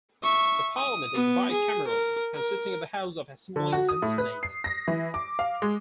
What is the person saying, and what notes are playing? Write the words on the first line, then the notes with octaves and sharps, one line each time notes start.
The Parliament is bicameral, consisting of the House of Assembly and Senate.
E5 C#6
D#6
B3
G#4
A#4
A#4
D3
F#4
D#6
A2
B4
C7
A#6
E3
D6
F5
G#3